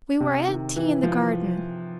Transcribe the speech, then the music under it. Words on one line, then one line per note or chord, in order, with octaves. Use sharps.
We were at tea in the garden.
C3
D#3
E3
F3